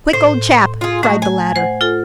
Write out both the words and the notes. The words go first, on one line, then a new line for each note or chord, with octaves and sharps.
"Quick, old chap!" cried the latter.
A2 C5
F4 G#4
A3 D#4 F#4
G#5
C5 F#5
F4 A4